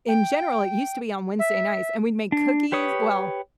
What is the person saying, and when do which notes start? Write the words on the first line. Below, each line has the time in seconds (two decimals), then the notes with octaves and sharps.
in general, it used to be on Wednesday nights, and we'd make cookies well,
0.08 G5
1.39 E5
2.32 D4
2.72 G4 B4 C#5 D#6